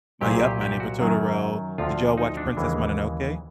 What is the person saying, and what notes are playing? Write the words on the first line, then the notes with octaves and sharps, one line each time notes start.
My Yep, My Neighbor Totoro. Did y'all watch Princess Mononoke?
C2 A#2 F#3 G4
G#4
G4
G4
F#4
F#2 D#3 F#3
D2 D3 F3 F4
D#4
D4
D#2 C#3 E3 G#3